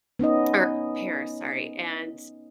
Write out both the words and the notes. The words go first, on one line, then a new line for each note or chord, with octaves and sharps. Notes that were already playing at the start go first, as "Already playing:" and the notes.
or, Paris, sorry, and
B3 C#4 D#4 D#5